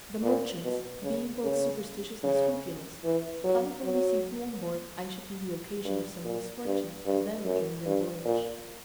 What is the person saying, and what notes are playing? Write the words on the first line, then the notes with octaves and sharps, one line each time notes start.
The merchants, being both superstitious and scrupulous, thought if they received me on board I should be the occasion of some misfortune to them during their voyage.
A#2
B2
C#3
C#3
C#3
E3
F#3
F#3
G2
A#2
G2
G2
F#2
G2
A#2